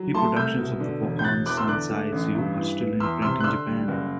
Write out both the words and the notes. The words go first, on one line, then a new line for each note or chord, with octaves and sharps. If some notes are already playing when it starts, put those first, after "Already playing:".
Reproductions of the "Wakan Sansai Zue" are still in print in Japan.
Already playing: F#3
A3 A5 C6
C2 E6 G6
B2
D3
E1
G6
E1 F#6 A6
E2 D6 F#6
C6 E6
D3 D6 F#6
A3
A1
G2
E3
B3
E2 C6 E6
C3 C6 E6
F#6
D3 C6 E6
G3
F#1